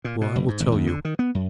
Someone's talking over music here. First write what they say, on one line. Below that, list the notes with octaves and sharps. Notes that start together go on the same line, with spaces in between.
Well, I will tell you.
A#2
B2
F#1
G#2
G#1
D#2
D3
D#3
B3
F#2